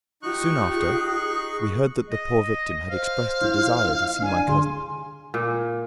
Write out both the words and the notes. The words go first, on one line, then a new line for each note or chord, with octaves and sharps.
Soon after we heard that the poor victim had expressed a desire to see my cousin.
D#4 F4 G4 C#6 F#6
G#4
D#5
C5 F5
E4 F4
D#4
D4 G#5
D3 G#4 C6
A#2